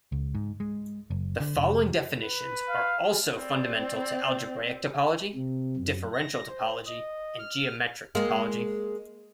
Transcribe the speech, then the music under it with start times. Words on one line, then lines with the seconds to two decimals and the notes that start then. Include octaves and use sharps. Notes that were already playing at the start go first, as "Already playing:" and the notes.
The following definitions are also fundamental to algebraic topology, differential topology and geometric topology.
0.12 C#2
0.35 G#2
0.60 G#3
1.10 F#1
1.40 D3
1.57 F1
2.21 B4
2.69 F5
3.36 C4 D5
5.35 C3
5.77 F#2
6.13 A#6
6.49 C5
6.87 D#5
7.38 F6
8.15 G#3 A#3